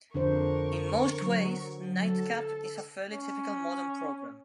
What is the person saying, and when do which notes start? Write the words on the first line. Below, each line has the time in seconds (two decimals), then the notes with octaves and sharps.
In most ways, KnightCap is a fairly typical modern program.
0.14 F2 D3 D4 A#4 C5 C#6
1.22 F#3
2.03 A4
3.12 C#4